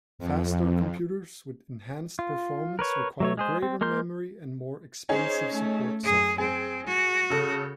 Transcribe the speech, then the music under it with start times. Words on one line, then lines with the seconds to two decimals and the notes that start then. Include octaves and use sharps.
Faster computers with enhanced performance require greater memory and more expensive support software.
0.19 F2
2.19 F4
2.79 A#4 B4 C#5
3.20 F#3 A3 C#5
3.37 G#3 G#4 C5
3.62 C4
3.81 G#3 A#3 A#4 C6 G6
5.09 C#4 D#4 G#4 C5
5.52 A3
6.03 F#2 G#4
6.38 C4 G#4
6.86 F#4
7.30 C#3 A4